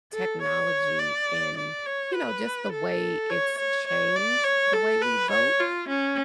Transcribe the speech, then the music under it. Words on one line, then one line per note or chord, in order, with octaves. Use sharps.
technology and, you know, just the way it's changed the way we vote?
A4
C#5
D5
D5
C#5
B4
A4
C#5
C#5
C#5
D5
C#5
A4
B4
C#5
F4
C#4